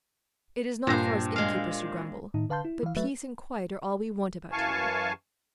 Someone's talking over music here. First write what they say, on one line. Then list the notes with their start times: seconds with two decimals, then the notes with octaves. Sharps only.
It is not for us innkeepers to grumble, but peace and quiet are all we want, about here.
0.87 G2 A#2 C5 A#6
1.36 G#3 F5
2.34 A2 D#3 D#4
2.50 D3 B4 F5 A5 C6 G6
2.65 E4
2.83 E3 F5
2.97 F#3 A3 B4 E5
4.52 F#2 E3 F5 G#5 A5 C#6